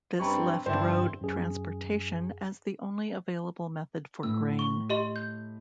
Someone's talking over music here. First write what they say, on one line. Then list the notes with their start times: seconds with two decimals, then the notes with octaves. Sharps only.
This left road transportation as the only available method for grain.
0.19 G2 C4 A#5 B5 C#6
0.66 G2 D3 C4 D4 E4 C5
1.21 F#2 G#4
4.23 A2 E6
4.59 C#6
4.90 G4 D#5 C6
5.16 G6